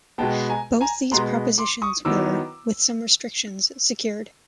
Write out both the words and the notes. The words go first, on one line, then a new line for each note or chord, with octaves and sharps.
Both these propositions were, with some restrictions, secured.
B2 G#3 B3 G5 A5
G#5 A#5
G#5 A#5
B2 G#3 B3 A#5 C6
C6 D6
C#6 D#6
D#3 F#3 B3 E4 D6 E6